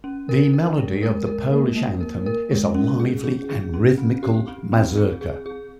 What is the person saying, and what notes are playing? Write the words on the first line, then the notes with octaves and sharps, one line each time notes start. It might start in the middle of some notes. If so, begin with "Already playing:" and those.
The melody of the Polish anthem is a lively and rhythmical mazurka.
C#4
A#4
A#4
G#3
A#4
A#4
A#3
A#3
A#4
A#4
G#3
C#4
G#4
G#4
G#4
C#4
C4
G4
C4
C4
G#4
G#4
G#4